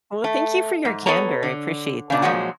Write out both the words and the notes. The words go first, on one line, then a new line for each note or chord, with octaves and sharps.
Well, thank you for your candor, appreciate that.
A3
G#2
B3 A4 C#5 A#5
D3
C#3 D4
A#2 F3 F#3 G#3 F#4